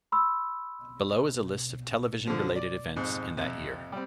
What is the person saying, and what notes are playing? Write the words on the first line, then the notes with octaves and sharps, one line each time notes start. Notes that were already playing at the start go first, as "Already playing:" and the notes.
Below is a list of television-related events in that year.
B5 C6 E6
D3 F3
D5
F2 G#2
F2 C3
G3 C4